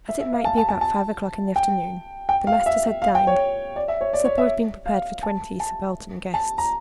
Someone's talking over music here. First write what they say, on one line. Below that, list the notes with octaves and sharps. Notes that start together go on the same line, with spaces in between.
As it might be about five o'clock in the afternoon, the masters had dined: supper was being prepared for twenty subaltern guests.
E5
E5
F5
A5
A5
A5
A5
G5
G5
F5
E5
F5
G5
C#5
D5
E5
C#5
D5
C#5
E5
F5
A5
A5
A5
A#5